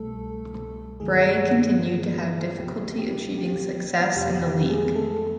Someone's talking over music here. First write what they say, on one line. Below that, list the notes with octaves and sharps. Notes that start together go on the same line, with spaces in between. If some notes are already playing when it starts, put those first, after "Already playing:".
Bray continued to have difficulty achieving success in the league.
Already playing: C2 B2 G3 A3 A4
G2 D#3 F#3 G#3 G#4
D2 C3 F3 G4
G4
G4
F2 C3 F3 G4
G4
G#3 G#4
A3 A4